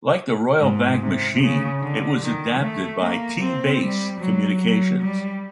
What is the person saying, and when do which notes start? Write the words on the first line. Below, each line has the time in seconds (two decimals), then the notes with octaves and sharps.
Like the Royal Bank machine, it was adapted by T-Base Communications.
0.61 G#2
1.01 C3
1.41 C#3
1.81 D3
2.22 D#3
2.60 A3
3.01 A#3
3.41 C4
3.81 G3
4.21 F#3
4.61 F#3
5.01 G3